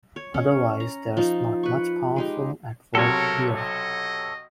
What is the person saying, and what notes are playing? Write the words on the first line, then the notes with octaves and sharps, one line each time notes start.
Otherwise there's not much powerful at work here.
C#5
C#4 C#5
A#5
F3 D#4
B4 C#6
G#3 D#4 G4
B1 C3 F#3 A4 A#4 C#5
D#5